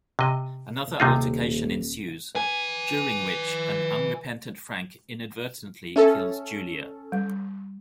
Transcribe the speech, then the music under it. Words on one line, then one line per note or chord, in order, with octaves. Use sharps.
Another altercation ensues, during which an unrepentant Frank inadvertently kills Julia.
C3 D#5
D#1 C3 D#4 F4
B4 G#5
C#4 A4 E5
G3